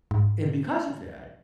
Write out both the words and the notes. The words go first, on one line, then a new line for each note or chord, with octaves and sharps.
and, because of that,
G#2